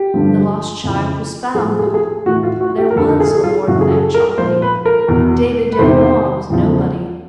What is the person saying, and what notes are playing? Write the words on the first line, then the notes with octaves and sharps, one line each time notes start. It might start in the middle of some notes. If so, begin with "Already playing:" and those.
The lost child was found. There was a Lord Clancharlie; David Dirry-Moir was nobody.
Already playing: G4
G2 D3 F3
F2 C#3 E3
A2 F3 G#4
G#4
G4
G#4
A2 E3 F#4
F4
F#4
G4
A#4
F2 D3 F3 A4
G#4
A4
G#4
F4
F#2 C#3 E3 F#4
G#4
A4
A#4
A#2 F3 C5
B4
A#4
E2 B2
B4
E2 C3 D#3 C5
E2 C#3 F3